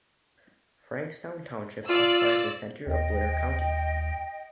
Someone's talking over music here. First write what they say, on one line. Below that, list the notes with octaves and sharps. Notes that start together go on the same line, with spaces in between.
Frankstown Township occupies the center of Blair County.
F4 D5 E6
D#2 D#5 G5